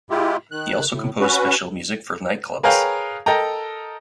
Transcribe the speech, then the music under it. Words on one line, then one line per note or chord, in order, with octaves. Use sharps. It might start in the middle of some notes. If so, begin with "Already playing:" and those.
He also composed special music for nightclubs.
G#3 E4 F4 G4
D#3 F#6
A2
C#4 F#4 B4
G#4 A#4 B4 C#5 F5 G5
A4 A#4 D#5 G5 A#5